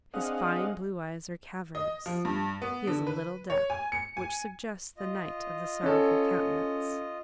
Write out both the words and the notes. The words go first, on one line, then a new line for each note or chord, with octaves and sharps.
His fine blue eyes are cavernous; he is a little deaf, which suggests the Knight of the Sorrowful Countenance.
C4 D4 G#4 D#5 F5 F#5
D#5
F3
G2
B3
D3
B4
C#5
G#5
C#7
G#5
F4 D#5
C#4 A4